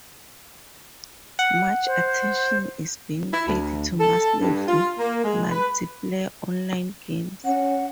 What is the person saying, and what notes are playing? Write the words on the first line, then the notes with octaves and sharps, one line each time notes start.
Much attention is being paid to massively multiplayer online games.
F#5
C5
E4
D2
A4
G2
F4
A#3
G#3
B4
C#4 F#5